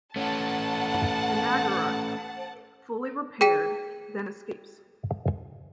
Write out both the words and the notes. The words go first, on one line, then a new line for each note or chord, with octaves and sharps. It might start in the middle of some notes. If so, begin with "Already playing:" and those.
The "Naggarok", fully repaired, then escapes.
A3 C#4 F#5 A5
G#4 G5 B6 D#7